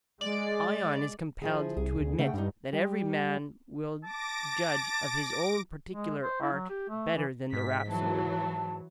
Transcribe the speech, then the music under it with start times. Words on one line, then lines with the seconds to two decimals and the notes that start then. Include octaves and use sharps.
Ion is compelled to admit that every man will judge of his own particular art better than the rhapsode.
0.21 G#3 D5
1.42 F3 E4 G#4
1.77 C2 G#4
2.00 D2
2.19 C#3 A3 F#5 G5
2.34 G2 G3 D#4
2.73 G3
4.04 A5 D6 A#6 D7
5.93 G#3
6.22 C5
6.41 E4
6.53 F#3
6.69 G4
6.89 A3
7.16 E3
7.53 G#2 B6
7.90 E3 F#3 A5